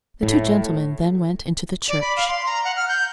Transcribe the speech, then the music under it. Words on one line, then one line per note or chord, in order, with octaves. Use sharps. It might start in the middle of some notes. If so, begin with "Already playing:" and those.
The two gentlemen then went into the church.
A2
D5
B5
F5
C6
A#5
F#5
F6
G6